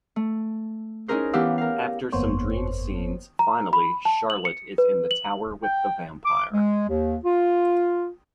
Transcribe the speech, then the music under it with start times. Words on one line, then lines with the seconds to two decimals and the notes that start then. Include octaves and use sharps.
After some dream scenes, finally, Charlotte is in the tower with the vampire.
0.16 A3
1.08 C#4 D#4 E4 G#4 A#4 C5
1.33 E3 B3 E4 G4 F5 E6
1.58 A#4 F5
2.12 G1 F2 A#3 B3 C5 C#5
3.39 A#5
3.73 B5
4.05 A5
4.30 F#7
4.45 C#7
4.78 B4
5.11 F#7
5.64 G5
6.25 D6
6.53 G#3
6.89 D#2
7.24 F4